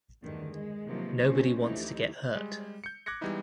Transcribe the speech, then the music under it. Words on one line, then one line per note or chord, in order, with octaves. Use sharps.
Nobody wants to get hurt.
E2 G2 D3 D#3 A3
G#3
C3 D#3 F3 F#3 A#3 B3
F3 F#3 G#3 A#3 C4 C#4
D2 E3 A3 D#4 E4 G4
G3 G#3
G6 C#7
D6 F#6 G#6 A#6 C#7
E3 G3 G#3 B3 D#4 E4